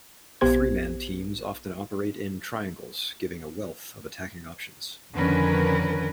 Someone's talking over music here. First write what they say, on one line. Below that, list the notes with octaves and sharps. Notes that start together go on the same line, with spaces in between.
Three-man teams often operate in "triangles", giving a wealth of attacking options.
A#1 B3 G4 C5 G#6
F2 D3 D#3 C#4 A#4 B4